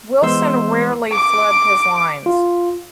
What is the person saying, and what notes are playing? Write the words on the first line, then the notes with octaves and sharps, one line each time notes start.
Wilson rarely flubbed his lines.
E3 G#3 B3 C5 C6 E6
D6
F4